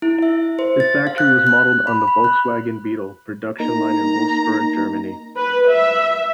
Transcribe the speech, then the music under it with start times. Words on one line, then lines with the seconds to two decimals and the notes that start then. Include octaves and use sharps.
The factory was modeled on the Volkswagen Beetle production line in Wolfsburg, Germany.
0.02 E4
0.22 E5
0.59 C5
0.80 A6
1.07 F5
1.18 F#6
1.47 F#6
1.87 B5
2.08 B5
2.24 F#6
3.60 A#3 D#4 A#5
5.36 B4
5.68 E5